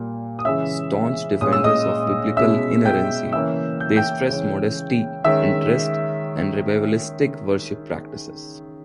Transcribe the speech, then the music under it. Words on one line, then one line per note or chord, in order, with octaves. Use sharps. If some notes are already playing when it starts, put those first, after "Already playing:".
Staunch defenders of Biblical inerrancy, they stress modesty in dress and revivalistic worship practices.
Already playing: A#2 G3 A#3
D#6
C#3 E3 G#3 C#4 E5 E6
A#2 G#3 C#4 D#6
E6
D#5 D#6
B2 G#3 C#4 E5 E6
G5 G6
C#3 E3 A#3 C#4 E5 E6
G6
G5 G6
C#3 E3 G#3 C#4
D#3 G#3 C#4 E5 E6